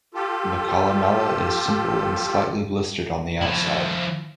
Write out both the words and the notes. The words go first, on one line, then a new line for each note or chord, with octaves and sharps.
The columella is simple and slightly blistered on the outside.
F4 G4 A4
F3 E4